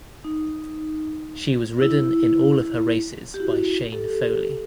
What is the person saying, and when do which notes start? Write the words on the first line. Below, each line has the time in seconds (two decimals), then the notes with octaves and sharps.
She was ridden in all of her races by Shane Foley.
0.24 D#4
1.82 E4
3.34 G4
3.40 E4 F#4
3.92 G4 A4